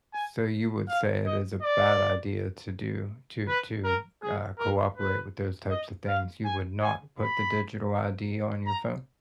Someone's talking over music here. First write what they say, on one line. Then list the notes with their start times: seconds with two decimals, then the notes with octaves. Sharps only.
So you would say it is a bad idea to do to to, uh, cooperate with those types of things. You would not put the digital ID on your phone?
0.14 G#5
0.89 F5
1.25 D#5
1.62 D5
3.48 B4
3.84 A#4
4.22 G#4
4.59 A#4
4.97 B4
5.70 D#5
6.07 F5
6.45 G#5
6.81 G#5
7.19 B5
8.67 A#5